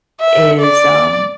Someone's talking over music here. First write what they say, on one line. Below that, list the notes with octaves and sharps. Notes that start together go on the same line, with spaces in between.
is, um,
E5
D5